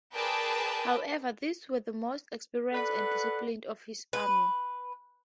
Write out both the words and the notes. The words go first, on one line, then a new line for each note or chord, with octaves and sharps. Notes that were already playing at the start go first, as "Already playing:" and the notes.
However, these were the most experienced and disciplined of his army.
G#4 A#4 B4 D5 G5 A5
A4 B4 D5 F#5
B4